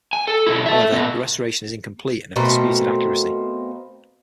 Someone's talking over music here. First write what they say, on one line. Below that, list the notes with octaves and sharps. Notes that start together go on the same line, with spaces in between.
However, the restoration is incomplete and of disputed accuracy.
G#5
A4
B1 E4
A4 E5
A#2 B3
B2 A3 A#3 C4